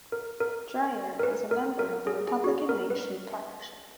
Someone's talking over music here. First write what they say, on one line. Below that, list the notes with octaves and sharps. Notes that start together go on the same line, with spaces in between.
Dreier is a member of the Republican Main Street Partnership.
A#4
A#4
A#4
B4
A#4
A#4
G#4
G#4
F#4
G#4
A#4
B4